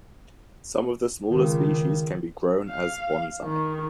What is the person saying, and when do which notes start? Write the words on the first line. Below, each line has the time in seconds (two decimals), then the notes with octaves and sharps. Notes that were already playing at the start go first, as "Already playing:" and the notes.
Some of the smaller species can be grown as bonsai.
1.31 C#2 D#3
2.69 F5
3.43 D#3